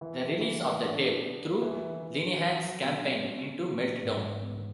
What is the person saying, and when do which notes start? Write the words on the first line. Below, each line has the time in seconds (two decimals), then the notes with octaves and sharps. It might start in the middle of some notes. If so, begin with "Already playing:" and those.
The release of the tape threw Lenihan's campaign into meltdown.
0.01 E3
0.41 E3
0.81 D4
1.22 B3
1.62 E3
2.02 E3
2.41 F#3
2.82 B2
3.22 C#4
3.63 E3
4.02 G#2
4.43 B3